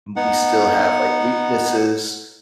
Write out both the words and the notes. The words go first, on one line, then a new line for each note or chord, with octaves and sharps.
we still have, like, weaknesses
B3 D#4 F#5